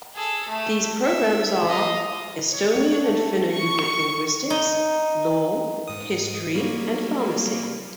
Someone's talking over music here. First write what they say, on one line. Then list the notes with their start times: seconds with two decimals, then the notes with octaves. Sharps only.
These programmes are: Estonian and Finno-Ugric Linguistics, Law, History and Pharmacy.
0.15 G#4 A4
0.48 A3
1.04 E5
1.68 D#5 F5
2.51 C#5
3.03 A3
3.51 C#6
4.50 D#4
5.88 G#2 D#6
6.55 F#3 G3 A#3